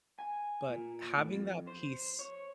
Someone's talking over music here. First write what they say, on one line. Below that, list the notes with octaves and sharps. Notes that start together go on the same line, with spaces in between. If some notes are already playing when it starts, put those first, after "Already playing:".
but having that piece
G#5
A#2
A2
F2
C5
C#5